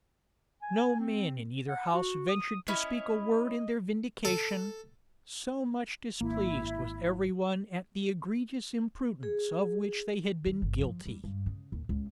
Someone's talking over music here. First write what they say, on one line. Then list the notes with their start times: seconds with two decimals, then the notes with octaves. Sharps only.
No man in either house ventured to speak a word in their vindication; so much displeased was every one at the egregious imprudence of which they had been guilty.
0.62 G#5
1.00 C4
1.68 F#5
1.94 F#4
2.29 D#6
2.68 C#4 E4 C#5 D#5
4.25 A4
6.21 G#1 A#3 E4
9.23 G#4
10.46 D#3
10.62 G1
10.82 F3
11.06 G3
11.24 G2
11.46 C#3
11.72 D#2
11.89 C#2